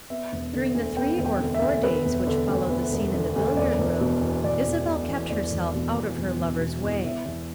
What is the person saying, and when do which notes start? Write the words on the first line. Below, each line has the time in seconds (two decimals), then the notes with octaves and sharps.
During the three or four days which followed the scene in the billiard-room Isabel kept herself out of her lover's way.
0.10 B3 E5
0.32 E1
0.53 D3
0.74 D2
0.97 B3 G5
1.18 E1
1.26 G5
1.40 D3
1.54 E5
1.62 D2
1.83 B3 B4
2.05 E1
2.27 D3
2.49 D2
2.70 B3
2.92 E1
3.14 D3
3.36 D2
3.57 E1 D5
3.78 E1
4.00 B2
4.22 E2
4.44 E1 D5
4.66 E1
4.87 B2
5.09 E2
5.30 E1 D5
5.52 E1
5.74 B2
5.96 E2
6.17 E1
6.38 E1
6.60 B2
6.82 E2
7.03 E2 E5
7.25 E2